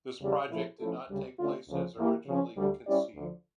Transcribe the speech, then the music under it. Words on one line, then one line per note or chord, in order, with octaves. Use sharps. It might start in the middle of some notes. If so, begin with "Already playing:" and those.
This project did not take place as originally conceived.
E2 C#3 G3
A#2 F3 A3 E4 A4
F3 A3 C#4 E4 A4
D2 C#3 G3
D3 A3 C#4 F4
D2 C#3 F3
E2 E3 A#3 E4 G4
C#3 F3 C#4
D2 D3 G3
G3 C#4 E4 G4 D5
D2 D3 F3